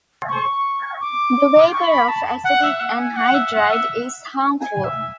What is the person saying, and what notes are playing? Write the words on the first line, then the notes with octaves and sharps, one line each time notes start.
The vapour of acetic anhydride is harmful.
C#6
D6
C#6
B5
A5
F#5
E5
F#5
G#5
F#5
E5
F#5
E5
G#5
E5